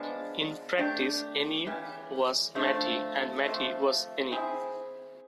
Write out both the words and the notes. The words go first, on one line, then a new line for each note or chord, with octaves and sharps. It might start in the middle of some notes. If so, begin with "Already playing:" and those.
In practice, Eni was Mattei and Mattei was Eni.
Already playing: F3 G#3 B3 D4
A3 D4 G4
C#3 E3 G3
D3 F3 A3
C3 F3 A3
C4 E4 G#4